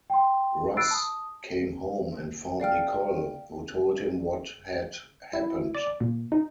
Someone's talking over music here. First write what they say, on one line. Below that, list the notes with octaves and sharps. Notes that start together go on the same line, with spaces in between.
Russ came home and found Nicole, who told him what had happened.
G5 C6
B5 E6 F#6 A6 C7 D7
A5 D#6
D5 F5 G5 F6
E4
D5
A#2
D#4